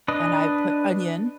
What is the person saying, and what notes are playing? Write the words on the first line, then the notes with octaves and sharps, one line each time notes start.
and I put onion
D4 B4 D#5